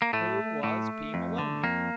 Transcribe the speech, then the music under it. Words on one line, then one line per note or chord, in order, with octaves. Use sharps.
Who was P. Maloney?
A#3
A2 A3
A2 A3
F2
D3
F2 A#3